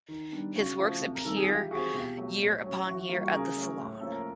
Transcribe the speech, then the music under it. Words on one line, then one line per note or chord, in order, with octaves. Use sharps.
His works appear year upon year at the Salon.
D#3
G3 B3 D4
C#3 F#4
F3 A3
C3
A#4
D#3 G3 A4
G#4
E3 F4 G4
G#3 C4 F#4 G#4
B2 F4 G4
F#3 A3
A2
F#3 A3 C#4
E3 F#4
F#4
G3 A#3 F4
F#4
C#3 G#4 A#4
F#3 A3
A2
F3 A#3 C#4 A4
A#4